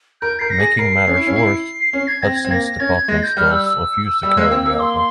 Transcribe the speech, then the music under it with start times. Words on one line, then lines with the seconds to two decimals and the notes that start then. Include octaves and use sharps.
Making matters worse, Hudson's department stores refused to carry the album.
0.21 A#4 G6
0.39 A#4 C7
0.50 A#6
0.60 G#4
0.78 A#4 C7
1.07 C#4
1.17 E4
1.27 C#4
1.36 E4 C7
1.93 C#4 C7
2.08 G#6
2.23 C4 A#6
2.36 G#6
2.45 C4
2.50 A#3 A#6
2.79 C#4 G#6
3.08 G#3 A#6
3.23 G6
3.37 G3 F6
3.51 E6
3.66 E6
4.23 G3
4.37 G#3
4.45 A#3
4.51 C4
4.65 A#3
4.80 C6